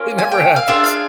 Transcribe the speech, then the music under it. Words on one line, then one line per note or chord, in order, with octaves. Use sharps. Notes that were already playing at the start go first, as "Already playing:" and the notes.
it never happens.
Already playing: A#3 C#4 F4
G#5
G5
F5
D4 F4 G#4 E5
F5